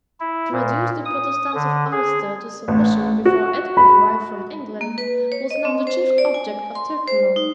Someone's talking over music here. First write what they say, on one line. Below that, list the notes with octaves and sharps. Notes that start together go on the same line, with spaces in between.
To reduce the Protestants of Ulster to submission before aid could arrive from England was now the chief object of Tyrconnel.
E4
A#2
D#6
D3
G#4
A1
F#4
B5
A#3
B4
C#5
D#5
C4
C5
D5
G#5
C6
C5
D#4